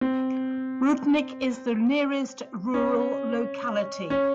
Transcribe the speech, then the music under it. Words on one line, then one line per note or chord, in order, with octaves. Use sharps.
Rudnik is the nearest rural locality.
C4
C#4
C#4